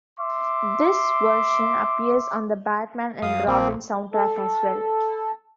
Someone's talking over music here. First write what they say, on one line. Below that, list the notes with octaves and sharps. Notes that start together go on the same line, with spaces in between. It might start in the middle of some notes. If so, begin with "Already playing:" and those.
This version appears on the "Batman and Robin" soundtrack as well.
E5 C6 D6
F#2 F5 D#6
A#1 F3 A#3 C4
A4